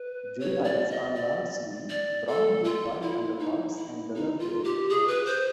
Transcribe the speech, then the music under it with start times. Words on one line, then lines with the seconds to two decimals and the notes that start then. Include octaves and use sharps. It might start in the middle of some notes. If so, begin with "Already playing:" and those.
Juveniles are largely brown with white underparts and duller bare parts.
Already playing: B4
0.40 C#5
0.64 D5
0.90 D#5
1.15 D5
1.90 D5
2.27 A4
2.64 F4
3.02 E4
3.39 D#4
3.77 E4
4.14 D#4
4.39 F4
4.64 G4
4.89 G#4
5.08 B4
5.26 C5